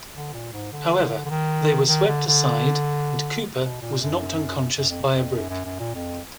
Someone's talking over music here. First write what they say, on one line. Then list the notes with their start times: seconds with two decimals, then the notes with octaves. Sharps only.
However, they were swept aside and Cooper was knocked unconscious by a brick.
0.14 D3
0.34 A#2
0.53 G#2
0.72 D3
1.25 D3
1.30 D#3
1.88 D#3
2.07 D3
2.27 D3
3.62 B2
3.82 A#2
4.01 F#2
4.78 F#2
4.89 F2
5.11 F2
5.36 F#2
5.50 F#2
5.65 F#2
5.79 A#2
5.94 F2